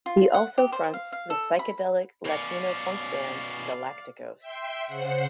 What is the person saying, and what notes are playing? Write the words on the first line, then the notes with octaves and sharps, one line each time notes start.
He also fronts the "psychedelic latino-funk" band Galaktikos.
F4
F#5
G4
C5
F5
F5
A4
B5
B2 C#4 D5 F5
E5 G5 C6
C#3 C5 F#5 C7 C#7